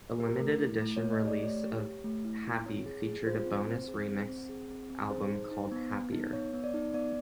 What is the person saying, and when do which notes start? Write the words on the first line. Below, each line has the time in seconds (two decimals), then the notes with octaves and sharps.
A limited edition release of "Happy" featured a bonus remix album called "Happier".
0.20 G4 A#4
0.40 A3
0.61 E4
0.82 A3
0.96 C#5
1.02 A3
1.12 D#5
1.23 G4 D5
1.43 A3 C#5
1.63 G4
1.84 G4
2.04 A3
2.25 E4
2.45 E4
2.65 C4 C#5
2.86 G#4
3.07 G#4
3.27 F4 C5
3.47 C4
3.68 C4
3.88 G#4
4.08 C4
4.29 C4
4.49 G#4
4.70 C4
4.90 C4
5.10 G#4 C5
5.31 D#4
5.51 D#4
5.72 B3
5.92 B3
6.12 D#4
6.33 B3 C#5
6.53 B3
6.64 D5
6.74 D#4
6.94 B3 D5